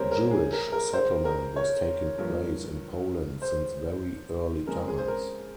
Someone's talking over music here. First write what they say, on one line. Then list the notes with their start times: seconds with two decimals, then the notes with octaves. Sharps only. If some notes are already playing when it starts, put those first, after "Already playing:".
Jewish settlement was taking place in Poland since very early times.
Already playing: C3 G3 A#3 C#4 A#4 C5 C#5
0.11 A#4
0.31 G#4
0.53 A#4
0.72 A#4
0.93 C5
1.25 A#4
1.56 C#5
2.18 G2 F3 A#3
3.42 C5
4.67 C#3 G#3 C4 A#4
4.88 G#4
4.98 C5
5.08 A#4